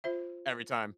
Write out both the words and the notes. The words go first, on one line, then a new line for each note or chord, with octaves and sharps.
every time.
F4 C5 E5